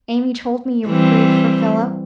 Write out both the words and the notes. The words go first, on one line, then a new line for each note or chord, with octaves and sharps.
'Amy told me you were grieved for Philip.
E3 G3 C4